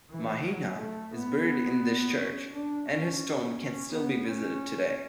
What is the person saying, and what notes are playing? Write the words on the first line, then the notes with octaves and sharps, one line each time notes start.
Mihnea is buried in this church and his tomb can still be visited today.
E3
F#3
A3
B3
C#4
D4
C#4
C#4
B3
C#4